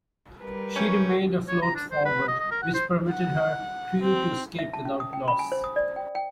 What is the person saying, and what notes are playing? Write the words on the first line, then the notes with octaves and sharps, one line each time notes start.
She remained afloat forward, which permitted her crew to escape without loss.
G3 A#4 B4
A3 C#4 C#5 G5
C#5
A#5
D4
C5
B4
D#5
D#5
A#4
F#5
C5
F#5
C4
E5
A5
C#4
D#6
G5
B5
G#5
C5
D#6
D5
G5
G5